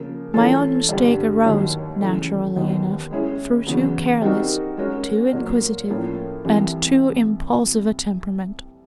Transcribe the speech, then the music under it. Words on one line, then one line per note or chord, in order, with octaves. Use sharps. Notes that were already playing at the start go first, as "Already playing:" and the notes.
My own mistake arose, naturally enough, through too careless, too inquisitive, and too impulsive a temperament.
Already playing: C#3 F3 A#3
E3 A3 C#4 F4 A4
G2 D3 G3
D#2 D#3 F#3
C#3 E3 A3
D#2 D#3 F#3 B3
G#3 C#4 E4 G#4
E2 C#3 F#3 B3
G3 C4 D#4 F#4 A#4
G#3 C#4 F#4 A#4
A#2 F#3 A#3
A2 F3 A#3 C#4 F4
C2 C3 E3